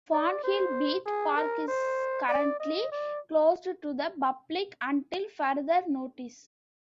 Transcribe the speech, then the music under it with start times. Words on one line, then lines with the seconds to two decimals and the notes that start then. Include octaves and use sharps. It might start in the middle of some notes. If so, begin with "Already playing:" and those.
Font Hill Beach Park is currently closed to the public until further notice.
0.13 D5
0.43 C5
1.06 G#4
1.37 A#4
1.68 C5
2.29 D5
2.60 D#5
2.91 D5